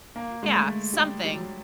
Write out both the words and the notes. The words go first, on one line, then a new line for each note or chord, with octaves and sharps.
Yeah, something,
A#3
G#3
A3
G3
G3
F#3